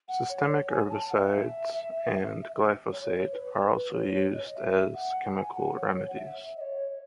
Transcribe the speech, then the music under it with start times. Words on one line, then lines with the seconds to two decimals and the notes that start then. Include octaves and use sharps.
Systemic herbicides and glyphosate are also used as chemical remedies.
0.08 F#5
0.29 C#5
0.48 C#5
0.69 G#5
0.90 A5
1.10 F#5
1.14 E5
2.92 C#5
3.32 B4
3.74 B4
3.93 C#5
4.14 C#5
4.33 D#5
4.54 E5
4.94 F#5
5.35 G#5
5.55 F#5
5.76 C#5
5.97 C#5
6.08 F#5
6.17 E5
6.56 D#5
6.61 C#5